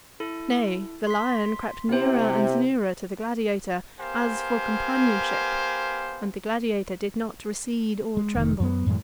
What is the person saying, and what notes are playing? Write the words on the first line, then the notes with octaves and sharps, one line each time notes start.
Nay, the lion crept nearer and nearer to the gladiator, as for companionship; and the gladiator did not recede or tremble.
E4 A4
C6 B6
C3 B3 E4 C5
B3 G4 A#4 C5 F5 G#5
G#3
F1 D#3
F#2 F#3 A3 B3
F#2 A2 E3 G#3